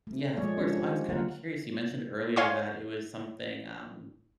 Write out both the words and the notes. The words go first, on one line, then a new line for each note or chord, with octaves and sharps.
Yeah, of course. I was kinda curious, you mentioned earlier that it was something, um
A3
F3 G#3 A3 G#4 C#5 D5
F3 G#3 C#4 D4
G4
D3 A#3 F4 A#4 F#5
C#5 F5 G#5 C6 C#6